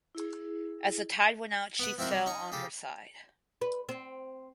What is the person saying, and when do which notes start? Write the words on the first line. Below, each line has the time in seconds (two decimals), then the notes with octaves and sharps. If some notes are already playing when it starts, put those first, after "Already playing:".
As the tide went out she fell on her side.
0.15 E4 G#4
1.79 B3 F#5
1.98 F3 C4 E4 F#4 A#4
2.11 G3 C#4
2.26 C#4 D#4 C#5 A#5 C#6
2.52 C#3 G4 A4
3.61 B4
3.89 C4